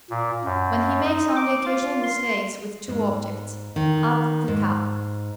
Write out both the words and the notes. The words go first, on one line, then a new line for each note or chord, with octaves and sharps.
When he makes only occasional mistakes with two objects, add the cap.
A#2
F#2
D#4
D6
F4
C6
G#2
D#3
G#2